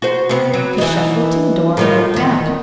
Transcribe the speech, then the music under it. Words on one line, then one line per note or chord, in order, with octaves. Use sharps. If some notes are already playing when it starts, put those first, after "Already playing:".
He shuffled to the door and looked out.
F#4 C5
C3 B3
F#3
E3 D#4
A2 D#3 F4
E2 D#3